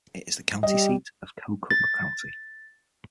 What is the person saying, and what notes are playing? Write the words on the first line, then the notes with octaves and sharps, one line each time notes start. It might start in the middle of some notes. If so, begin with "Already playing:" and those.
It is the county seat of Keokuk County.
G3 D#5
A6